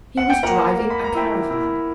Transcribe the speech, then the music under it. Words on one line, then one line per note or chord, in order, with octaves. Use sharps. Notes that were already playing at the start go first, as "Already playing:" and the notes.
He was driving a caravan.
F#5
G5
A#3 F#5 A#5
A#3
B5
A#5
E4 G5 B5
E4